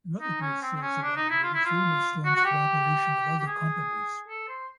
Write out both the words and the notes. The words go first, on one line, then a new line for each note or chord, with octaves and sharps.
Another great source of revenue was LunarStorm's cooperation with other companies.
D#4
C#4
C4
C4
C#4
D4
D#4
E4
F4
E4
F4
F#4
F#4
G4
G4
G#4
A4
C5